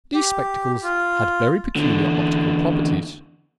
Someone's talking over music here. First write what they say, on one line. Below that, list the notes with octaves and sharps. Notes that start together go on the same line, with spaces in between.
These spectacles had very peculiar optical properties.
G4
F4
E2 D3